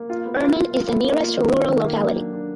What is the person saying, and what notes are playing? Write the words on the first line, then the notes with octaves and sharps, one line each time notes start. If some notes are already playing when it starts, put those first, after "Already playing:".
Urman is the nearest rural locality.
Already playing: A#3
F4
B3
F4
F4
F4
B3
A#3
F4
D#3
F4
D#3
A#3
F#3
D4
D4